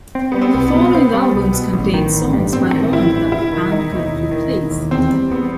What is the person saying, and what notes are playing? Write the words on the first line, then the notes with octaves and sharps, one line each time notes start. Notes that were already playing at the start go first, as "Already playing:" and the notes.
The following albums contain songs by Hearn that the band currently plays.
C4
G3 B3
C4
C2
B3
B2
C4
G3
C2
B2
A1
D#3
A1
G2
A1 C4
D#3
A1 E4
G2
E1 E4
D#3
E1 D#4
D#2
E1
D#3
E1
D#2
E2 C4
G3
E2 B3